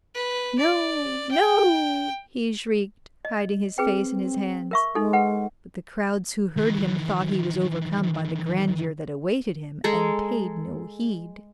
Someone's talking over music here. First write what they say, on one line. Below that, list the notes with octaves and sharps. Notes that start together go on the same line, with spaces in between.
'No! no!' he shrieked, hiding his face in his hands; but the crowds who heard him thought he was overcome by the grandeur that awaited him, and paid no heed.
B4
D5
G5
D#5
C4 G#4 B4 G5
A#4 E5 C#6
G#3 D#4 A4
B4 F#5
D#3 E3
G#3 A4 A#5